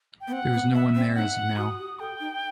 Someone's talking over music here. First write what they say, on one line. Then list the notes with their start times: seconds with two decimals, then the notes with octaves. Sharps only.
There is no one there as of now.
0.21 G5
0.28 B3
0.32 C4 F#5
0.53 B3
0.70 C4
0.73 B3 E5
0.95 C4
1.15 D#4 F#5
1.57 F#4 D#6
1.79 G4
1.99 A4 G5
2.20 D#4